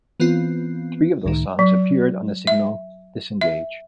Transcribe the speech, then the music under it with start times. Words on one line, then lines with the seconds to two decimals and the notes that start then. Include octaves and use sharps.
Three of those songs appeared on the single "Disengage".
0.20 E3 B3 C4 F4
1.25 C#2 A2 D#3
1.59 F#3
2.47 E5
3.41 E5